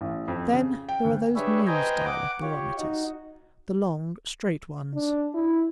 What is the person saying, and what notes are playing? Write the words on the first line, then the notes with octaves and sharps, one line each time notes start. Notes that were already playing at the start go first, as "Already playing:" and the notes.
Then there are those new style of barometers, the long straight ones.
A1
F2
C#3
G5
D2
D4 G4 G#4 B4 C#5 E5
B4 C5 D#5 G5 G#5 A#5
F#5 D6
F4 G4 C#5
D#4 F#4
D4
E4